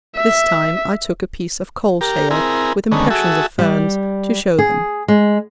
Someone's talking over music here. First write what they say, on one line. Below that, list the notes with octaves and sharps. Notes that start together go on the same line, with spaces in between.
This time I took a piece of coal- shale, with impressions of ferns, to show them. . . .
E5
G4 A#4
C4 E4 G#4 A#4
D3 D#3 G#3 A3 B3 C#4
F#4 G#4 A4 E5
G3
G#4
G#3